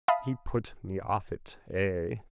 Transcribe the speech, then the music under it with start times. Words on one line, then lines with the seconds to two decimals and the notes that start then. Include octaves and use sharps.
He put me off it. Ay.
0.08 E5 F5 A5 B5 D#6